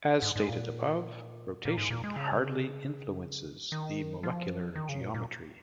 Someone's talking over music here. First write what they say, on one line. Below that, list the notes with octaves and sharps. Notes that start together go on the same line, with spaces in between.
As stated above, rotation hardly influences the molecular geometry.
G#2
G#2
A#2
A#2
G#2
A#2
G#3
C#3
D#3
F3
D#3
C#3
A#2
A#2